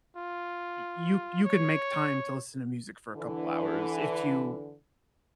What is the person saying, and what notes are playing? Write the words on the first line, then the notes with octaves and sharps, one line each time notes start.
y you you can make time to listen to music for a couple hours if you,
F4
C#5
D3 E3